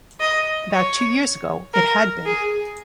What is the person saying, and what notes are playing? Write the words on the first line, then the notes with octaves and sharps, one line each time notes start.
About two years ago, it had been.
D#5
C#5
A#4
G#4